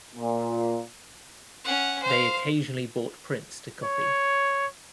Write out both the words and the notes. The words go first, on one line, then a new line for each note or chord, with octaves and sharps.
They occasionally bought prints to copy.
A#2
C#4 F#5
C5 F5
C#5